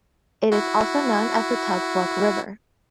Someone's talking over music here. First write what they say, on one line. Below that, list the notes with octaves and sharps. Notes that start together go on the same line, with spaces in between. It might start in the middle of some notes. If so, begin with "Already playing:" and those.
It is also known as the Tug Fork River.
E4 F#4